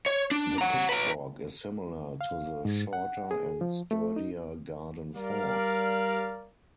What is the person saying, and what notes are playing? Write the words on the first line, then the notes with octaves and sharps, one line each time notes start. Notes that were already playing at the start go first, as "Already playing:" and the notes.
The pitchfork is similar to the shorter and sturdier garden fork.
C#5
D4
F#5 A#5
B4 A#5
F5
G#2
F#5
G#4
F3
A3
D#4
G3 A#4 D5 F5